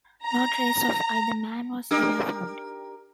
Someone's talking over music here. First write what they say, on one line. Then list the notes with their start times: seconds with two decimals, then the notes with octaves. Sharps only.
No trace of either man was ever found.
0.26 A#5
1.91 D4 G4 A#4